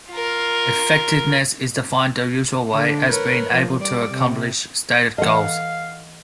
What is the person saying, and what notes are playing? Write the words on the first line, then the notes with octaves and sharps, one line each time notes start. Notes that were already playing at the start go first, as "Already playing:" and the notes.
Effectiveness, is defined the usual way: as being able to accomplish stated goals.
F4 A#4
D3 D4
A#4 B4 C#5
F3
G3 D5
C3
E3 A4 D#5 F5 F#5 A5